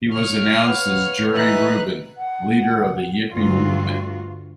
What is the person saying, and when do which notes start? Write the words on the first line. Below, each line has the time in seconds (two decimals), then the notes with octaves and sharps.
He was announced as Jerry Rubin, Leader of the Yippie Movement.
0.13 C#5 F5 F6
0.66 B4 F#5
1.35 E3 D#4 B4 E5 F#6
2.17 F#5
3.32 D2 G2 F4 F#4